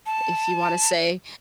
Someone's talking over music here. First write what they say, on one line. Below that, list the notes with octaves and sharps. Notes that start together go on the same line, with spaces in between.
if you want to say.
A5